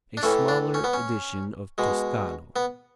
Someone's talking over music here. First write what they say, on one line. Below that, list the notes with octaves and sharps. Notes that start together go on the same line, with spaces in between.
A smaller edition of Toscano.
D4
A2 E3 A3 C#4
D4
C#4
B3
C#4
B2 G#3
B3